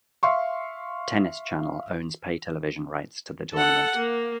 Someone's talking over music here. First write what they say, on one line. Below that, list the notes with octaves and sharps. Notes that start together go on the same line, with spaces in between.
Tennis Channel owns pay television rights to the tournament.
E5 F5 C6 C#6
A4 F#5
A#3